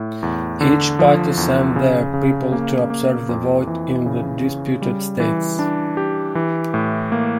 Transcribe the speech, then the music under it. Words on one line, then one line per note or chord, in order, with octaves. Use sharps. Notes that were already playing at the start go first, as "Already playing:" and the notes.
Each party sent their people to observe the vote in the disputed states.
Already playing: A2
E2
D3
F3
E2
C#3
C#3
A#3
A#3
F2
E3
C#3
C#3
G3
E3
D4
G4
E3
A2
A#3